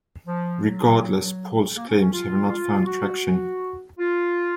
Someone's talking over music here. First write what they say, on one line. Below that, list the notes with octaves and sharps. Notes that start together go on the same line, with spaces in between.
Regardless, Paul's claims have not found traction.
F3
F#3
A#3
C#4
C#4
F4
F4
F#4
F4